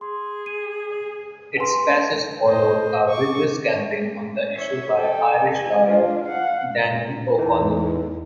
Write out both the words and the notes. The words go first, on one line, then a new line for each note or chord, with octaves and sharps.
Its passage followed a vigorous campaign on the issue by Irish lawyer Daniel O'Connell.
G#4 C6
D#7
B4 C6
C5 D#5
C#6 D6
C#5 E5
A4 G5
G#5
D4 F4
F5 F#5
E2 E3 D#4